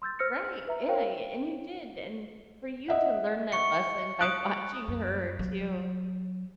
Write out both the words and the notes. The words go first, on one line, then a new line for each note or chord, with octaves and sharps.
R right. Yeah, y and you did, and for you to learn that lesson by watching her too,
C6 E6 G6 A6
C5 E6 F6 A#6 C#7
B4 E5 A#5
A#4 C5 C#5 F5 G5
D#5 E5 F#5
C#6 C#7
D#6 F#6 D7
F#2
F#3